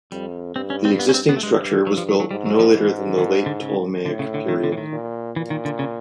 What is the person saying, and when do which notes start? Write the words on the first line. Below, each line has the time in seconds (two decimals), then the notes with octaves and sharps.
The existing structure was built no later than the late Ptolemaic period.
0.11 F2 G3
0.55 G2 C4
0.70 C#4
0.85 C4
0.99 B3
1.09 C#4
1.14 C4
1.29 B3
1.36 A3
1.43 G2 G#3
1.65 G3
1.87 F#3
1.97 F3
2.09 F#3
2.20 F#3
2.31 G#2 G3
2.46 F#3
2.59 F3
2.74 G#2 E3
3.18 D#3
3.46 D3
3.61 C#3
4.05 A2 D3
4.19 C#3
4.34 D3
4.48 D#3
4.64 D3
4.72 E3
4.78 D#3
4.92 A#2
5.36 A#2 E3
5.50 D#3
5.65 D3
5.79 C#3